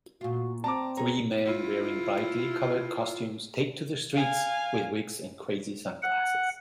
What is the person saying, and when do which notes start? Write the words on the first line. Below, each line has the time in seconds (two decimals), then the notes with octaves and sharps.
Three men wearing brightly colored costumes take to the streets with wigs and crazy sunglasses.
0.21 A#2 F4 F#4
0.64 C4 D5 A5 A#5 D6
0.97 G#4 C#5 A#5
1.45 E4 F4
4.13 F5 G#5
6.02 F#5